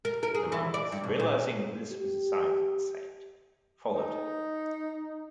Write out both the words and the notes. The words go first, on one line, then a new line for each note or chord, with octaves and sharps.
The monks, realising that this was a sign from the saint, followed her.
A#4
A#4
G#4
E3
D5
G2
B2
A#2
G4
D#4